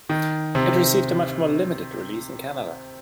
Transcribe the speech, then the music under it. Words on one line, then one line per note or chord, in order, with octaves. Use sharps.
It received a much more limited release in Canada.
D#3
C3